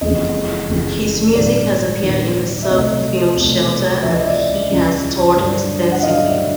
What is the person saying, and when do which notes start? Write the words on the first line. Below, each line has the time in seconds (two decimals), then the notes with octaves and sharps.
His music has appeared in the surf film "Shelter" and he has toured extensively.
0.01 F#1 F2 C#3 E3 G#3 D#5
0.69 F#1 F2 C#3 E3 G#3
1.35 A#1 G#2 D#3 G3 B3 D5
2.02 A#1 G#2 D#3 G3 B3
2.63 E5
2.68 C2 B2 F#3 A3 D#5
3.36 C2 B2 F#3 A3
4.02 C#2 C#3 F3 E5
4.14 D#5
4.25 D5 E5
4.69 C#2 C#3 F3
5.36 G2 D3 F#3
5.92 F#5
6.03 G2 D3 F#3 D#5 F5
6.25 D5 E5